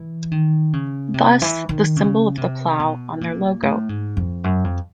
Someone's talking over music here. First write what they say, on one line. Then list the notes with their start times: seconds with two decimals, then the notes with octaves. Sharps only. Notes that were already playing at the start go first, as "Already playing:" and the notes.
Thus the Symbol of the plough on their Logo.
Already playing: E3
0.31 D#3
0.73 C#3
1.14 C3
1.42 E3
1.69 D#3
1.96 C#3
2.37 C3
2.79 B2
3.21 A#2
3.62 A2
3.89 G#2
4.17 F2
4.44 F#2
4.64 F2